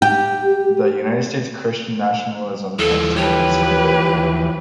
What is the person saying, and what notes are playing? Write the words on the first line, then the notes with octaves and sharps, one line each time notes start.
In the United States, Christian nationalism tends to be conservative.
G4
D#2 E3 F3 A4
G4 B4 C#5